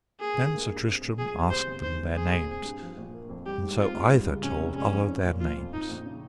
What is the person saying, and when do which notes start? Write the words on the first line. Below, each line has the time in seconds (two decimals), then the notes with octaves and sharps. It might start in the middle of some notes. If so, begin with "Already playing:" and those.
And then Sir Tristram asked them their names, and so either told other their names.
0.21 A#3 G#4
0.38 G2
0.53 A#3
0.70 G2
0.86 C4
1.02 A#2
1.19 F3 G#4
1.34 C2
1.51 C3 C5
1.67 G1
1.83 D#3 C5
1.99 G1
2.16 C4 G#4
2.32 A#2
2.48 C4
2.64 G2
2.81 F3
2.97 A#1
3.13 A#3
3.29 F2
3.46 G3 G4
3.62 G#2
3.78 C4 F4
3.94 G#2
4.11 G3
4.27 C#2
4.43 C3 C#4
4.60 F1
4.75 G#3 C#4
4.92 F2
5.08 C#4
5.24 A#2
5.40 F3 F4
5.57 F2
5.73 F3 D#4
5.89 A#1
6.06 C#3